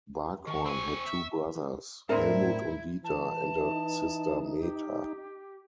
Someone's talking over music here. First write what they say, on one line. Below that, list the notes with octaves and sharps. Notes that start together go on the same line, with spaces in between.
Barkhorn had two brothers, Helmut and Dieter, and a sister Meta.
D#3 C#6
C4 G#5
E5
A2 C4 D4 E4 A#4 E5 A#5 C6
E3 A5
D#4
G4